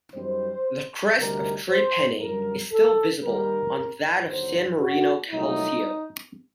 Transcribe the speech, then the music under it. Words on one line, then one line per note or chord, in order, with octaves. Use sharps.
The crest of Tre Penne is still visible on that of San Marino Calcio.
F#2 D#3 G3 C5
D2 C3 D#3 G3 A#4
C5
F#2 D3 G3 A#4
A4
D#2 D#3 G3 A#4
D#2 D3 F#3 C5
F#4
C2 A#2 F#3 A3 D#4